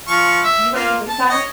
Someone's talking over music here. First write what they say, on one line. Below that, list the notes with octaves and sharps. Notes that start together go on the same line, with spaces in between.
Do you like to FaceTime?
F3 F5 C#6
E5
A#3 F4
A5
C#5 D#5